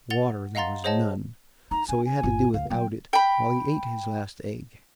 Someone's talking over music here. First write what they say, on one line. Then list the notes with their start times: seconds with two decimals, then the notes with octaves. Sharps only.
Water there was none, so he had to do without it while he ate his last egg.
0.10 F#5 A6 F7 G7
0.55 D#5 F5 F#5 A#5 C6 A6
0.84 G#4 C5 C#5 D#5 F#5 A5
1.71 D#4 A#5
1.89 D4 G#5
2.05 G#5
2.23 G1 F4
2.54 D2 F5
2.70 F#3 A#3 G5
3.13 G5 B5